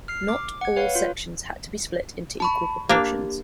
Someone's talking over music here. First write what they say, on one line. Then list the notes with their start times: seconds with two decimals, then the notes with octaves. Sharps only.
Not all sections had to be split into equal proportions.
0.08 F6 C7
0.28 D6
0.61 F#5 G#6
0.76 B4 C#5 F5
0.95 F4
2.40 A5 B5 C#6
2.89 A#3 D4 G4